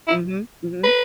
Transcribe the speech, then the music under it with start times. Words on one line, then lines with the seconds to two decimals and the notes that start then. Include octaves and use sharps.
Mhm, mhm.
0.08 E4
0.84 B4